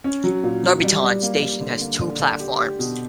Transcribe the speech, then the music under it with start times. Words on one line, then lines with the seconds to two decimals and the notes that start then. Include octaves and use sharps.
Norbiton station has two platforms.
0.04 C#4
0.24 F#3
0.43 A#2
0.63 F#3
0.83 G3
1.03 G3
1.22 A#3
1.42 G3
1.61 D3
1.81 A#3
2.01 D3
2.19 D3
2.40 G4
2.59 G4
2.79 B2